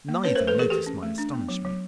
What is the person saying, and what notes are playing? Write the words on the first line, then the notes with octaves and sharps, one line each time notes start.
Neither noticed my astonishment.
A#3
C#4 B4 C#5
A3 A#4 C5
A4 B4
E3 G#4 A#4
E3 G4 A4
C#4
A3
D4
B3
F#3
F#3